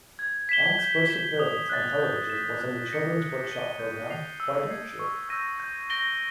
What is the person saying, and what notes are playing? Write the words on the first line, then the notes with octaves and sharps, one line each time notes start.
Ant's first appearance on television was on the children's workshop programme Why Don't You?
G#6
B6 E7 G7
G6
B6 E7
D#6
F#6 A6
G6
B6 E7
F#6
A#6 C#7
F#6
A#6 D#7 G7
G6
C7 F7
E6
G#6 C7
C#6
E6 G6 A#6 D#7
G6
A#6 D7 G7